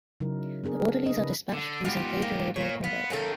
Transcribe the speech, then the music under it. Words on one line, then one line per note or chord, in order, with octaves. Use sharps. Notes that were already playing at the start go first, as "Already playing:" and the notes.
The orderlies are dispatched using pager-radio combos.
C#3 F#3 D#4 E4 A#4
B3 D4 G#4 A#4
D4 D#5
C#3 C4 E4 A#4 B4
D3
G#2 B3 F4 G4
A#3
A#2 C#5
B3 F4
F#2 D#3 A#3 C#4 A4